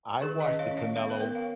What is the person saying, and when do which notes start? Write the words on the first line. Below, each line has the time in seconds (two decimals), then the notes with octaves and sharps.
I watched the Canelo
0.21 D#3 G#4 B4
0.40 B4 D#5
0.46 C#4
0.59 C#5 F5
0.71 C#4
0.77 C#5 F5
0.96 B3 C#5 F5
1.10 B4
1.20 B3 A#4 C#5
1.35 F5